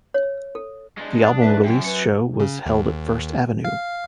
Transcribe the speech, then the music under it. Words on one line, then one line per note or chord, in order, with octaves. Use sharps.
The album release show was held at First Avenue.
C#5
A4
G#3 D4
D4 D#6 F#6 A6
B4 E5 B6
F#2 G5
B4 C#7
C#3
D#2
F5